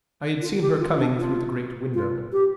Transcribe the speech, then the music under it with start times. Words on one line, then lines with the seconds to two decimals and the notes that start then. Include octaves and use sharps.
I had seen her coming through the great window.
0.41 F4
0.61 G4
0.80 F4
0.99 D4
1.18 F4
1.94 F4
2.33 G4